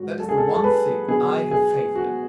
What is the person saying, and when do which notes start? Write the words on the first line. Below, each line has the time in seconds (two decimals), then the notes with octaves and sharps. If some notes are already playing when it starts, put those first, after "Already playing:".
That is the one thing I have faith in!
Already playing: G#2 F#3 F#4
0.20 A4
0.29 G#4
0.38 A4
0.54 A4
0.64 B4
1.08 B2 F#3 G#4
1.51 G#4
1.95 F#4